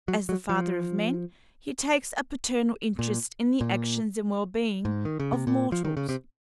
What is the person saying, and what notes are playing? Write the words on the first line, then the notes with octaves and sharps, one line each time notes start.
As the father of men, he takes a paternal interest in the actions and well-being of mortals.
F#3
F#3
F3
A#2
A#2
G#2
D#3
C#3
C3
A#2
F3
D#3
C#3
C3